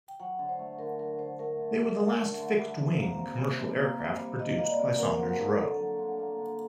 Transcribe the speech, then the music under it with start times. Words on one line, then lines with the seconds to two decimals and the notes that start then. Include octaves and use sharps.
They were the last fixed-wing commercial aircraft produced by Saunders-Roe.
0.08 G5
0.20 F#3 F#5
0.39 D3
0.49 C5
0.59 A3
0.79 D3 A#4
0.99 F#3 A#4
1.19 D3 C5
1.39 A3 A#4
1.59 D3
1.80 F#3
1.99 D3
2.19 A3
2.39 D3
2.59 G3
2.79 C3
2.99 A#3
3.19 C3
3.38 G3
3.59 C3
3.78 A#3
3.99 C3
4.19 G3
4.39 C3 D#5
4.58 A#3 D#5
4.69 D5
4.79 C3
4.98 F#3 A#4
5.19 D3
5.29 A#4
5.39 A#3
5.59 D3 A4
5.79 F#3
5.99 D3
6.19 A#3
6.38 D3